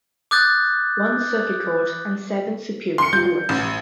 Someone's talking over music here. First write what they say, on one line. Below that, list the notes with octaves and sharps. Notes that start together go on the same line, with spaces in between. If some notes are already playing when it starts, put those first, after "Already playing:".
One circuit court and seven superior courts.
D6 D#6 F#6 G6 A6
C6 C#7
G3 F4 G6
A1